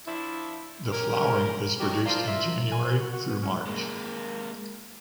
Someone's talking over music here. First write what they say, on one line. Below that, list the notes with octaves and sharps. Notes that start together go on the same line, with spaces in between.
The flowering is produced in Jan-Mar.
F3 D4 E4
C#4 G4 A#4
D#2 A2 D#3 F#4 G4
F3 A#3 D4 F4
D3 A#3 F4 E5
G#5
C5
F#4
F#4
B3
C#4
G#3 A#3